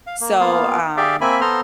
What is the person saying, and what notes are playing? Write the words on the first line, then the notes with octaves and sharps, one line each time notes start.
so, um
F5
A#3
A#3 B3 F4 F5
G4 G#4 D5 E5 F5 G5
A#3 C4 E5 G#5 B5
B3 A4 C5 A#5 C6 F6